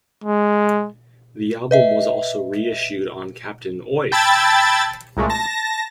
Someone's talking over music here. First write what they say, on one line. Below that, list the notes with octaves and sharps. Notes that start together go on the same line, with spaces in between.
The album was also reissued on Captain Oi!
G#3
B4 D#5 E5
G5 A5 B5 E6 G#6 A6
C2 A#2 G#3 A3
A5 A#6